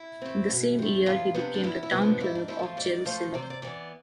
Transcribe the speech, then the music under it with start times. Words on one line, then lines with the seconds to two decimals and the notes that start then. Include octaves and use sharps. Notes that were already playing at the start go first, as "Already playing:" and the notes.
In the same year he became the town clerk of Jerusalem.
Already playing: E4
0.22 A3 C4
0.50 B2
0.79 A3 C4
1.06 E2 F4
1.34 C3 F3 B3 D4
1.54 D4
1.63 E2 E4
1.83 E4
1.91 C3 F3 B3
2.02 D4
2.20 G#2 E4
2.35 D4
2.48 F3 A3 E4
2.59 E4
2.63 F4
2.77 G#2 D5
3.06 F3 A3 C5
3.34 C3 D5
3.42 C5
3.50 D5
3.62 E3 B3 D5